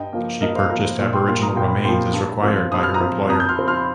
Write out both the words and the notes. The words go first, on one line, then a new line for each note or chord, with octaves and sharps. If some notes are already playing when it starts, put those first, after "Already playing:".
She purchased Aboriginal remains as required by her employer.
Already playing: G2 D#5 G5
F3 A#3
G2 A#4 D#5
C5 F5
F3 A#3 A#4
C5
A#2 C5 F5
G5 C6
F3 A#3 C6 F6
A#5 D#6
A#2 G5 C6
F3 A#3 G5 C6
G2
F3 C4
G2 D#6
F6
A#5 D#6
F3 C4
F2 A#5 D#6
G6
C6 F6
F3 C4
C6 F6